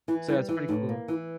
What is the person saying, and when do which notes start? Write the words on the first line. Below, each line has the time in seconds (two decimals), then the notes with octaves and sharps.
So that's pretty cool.
0.08 E3 E4
0.28 G3 E4
0.49 E3 E4
0.68 A2 D#4
0.89 A#3
1.08 E3 E4